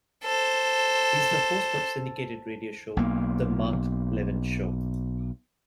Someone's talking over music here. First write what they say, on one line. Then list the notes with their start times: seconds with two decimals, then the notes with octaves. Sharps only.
He is the host of syndicated radio show "The Mark Levin Show".
0.23 A4 C5
2.97 B1 A#3